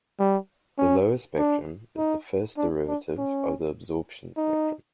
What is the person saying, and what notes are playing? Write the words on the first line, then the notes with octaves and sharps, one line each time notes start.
The lower spectrum is the first derivative of the absorption spectrum.
G3
C#4
D4
D#4
D4
D4
C#4
D#4